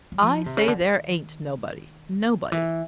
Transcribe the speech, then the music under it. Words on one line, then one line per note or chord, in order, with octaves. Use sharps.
I say there ain't nobody;--nobody.
F#3
F3
C3
C#3
D3
D#3
E3